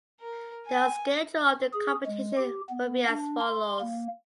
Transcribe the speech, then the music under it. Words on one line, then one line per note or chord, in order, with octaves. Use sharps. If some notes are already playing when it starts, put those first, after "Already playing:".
The schedule of the competition will be as follows.
A#4
G#5
G#4
G#3
G4
B3
D4
C6
A#3